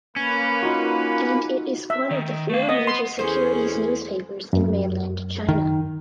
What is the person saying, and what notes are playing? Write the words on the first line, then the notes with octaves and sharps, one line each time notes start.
And it is one of the four major securities newspapers in Mainland China.
A#3 C#4 B4 G#6
D#4 F4 F#4
E5
D#3
A3 F5
B3 D#5
C6
E2 C#4 G#4 A4 C5
F#2
D#3